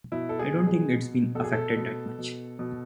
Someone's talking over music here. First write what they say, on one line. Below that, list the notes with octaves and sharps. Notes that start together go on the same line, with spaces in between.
I don’t think it’s been affected that much.
B2 E4
A4
G#4
B2
G#4
B2
B2 A4
G#4
A4
B2
B2
B2